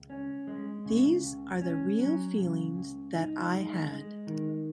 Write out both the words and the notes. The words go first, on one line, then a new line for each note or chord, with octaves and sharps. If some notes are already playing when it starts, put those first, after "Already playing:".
These are the real feelings that I had.
Already playing: C#2
C#4
G#3
C#3
C#2
C#4
F#3
C#3
C#2
D#4
G#3
G#3
D#3